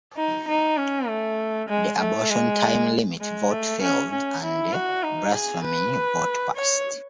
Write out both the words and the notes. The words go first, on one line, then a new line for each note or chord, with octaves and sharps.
The abortion time limit vote failed and the blasphemy vote passed.
D#4
D#4
C#4
A3
G#3
A3
G#3
G#3
A3
C#4
C#4
E4
F#4
D#4
G#4
B4
C#5